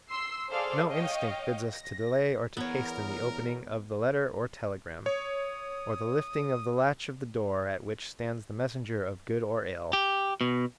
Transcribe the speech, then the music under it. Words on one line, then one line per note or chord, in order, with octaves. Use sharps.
No instinct bids us to delay or to hasten the opening of the letter or telegram, or the lifting of the latch of the door at which stands the messenger of good or ill.
C6 E6 C7
G#4 A4 C5 D5 F5
C#5 D#5 F5 G5
A#6
E2 B3 A#4 C#5
C#5 D#6
G4
B2